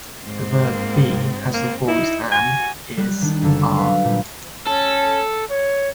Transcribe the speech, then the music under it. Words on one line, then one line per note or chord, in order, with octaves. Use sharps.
The verb "be" has the forms "am", "is", "are".
G#2 C4
A#3
A#3
D#4 E4
F#4 G#5
G3 F#6
D#3 D4
F#1 D3 A4
B4 F5
A#2 G3
C#4 A4
C#5